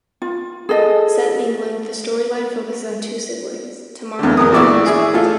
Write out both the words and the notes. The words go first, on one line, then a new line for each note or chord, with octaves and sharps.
Set in England, the storyline focuses on two siblings, Tamara and William Swift.
F4
G#4 A4 D#5
E2 D3
E2 A#4 D#6
A#1 E3 B4 D5 C#6 E6
E4 G#4
A3 F4 A4